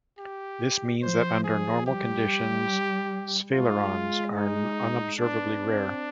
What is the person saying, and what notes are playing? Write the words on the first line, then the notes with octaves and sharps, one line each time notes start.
This means that under normal conditions sphalerons are unobservably rare.
G4
F3 C5
G#4
G3 G4
G#3 F4
D#4
B3 D4
C4